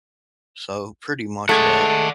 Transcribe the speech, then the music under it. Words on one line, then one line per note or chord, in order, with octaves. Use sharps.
So, pretty much of that.
G#3 A3 D5 F#5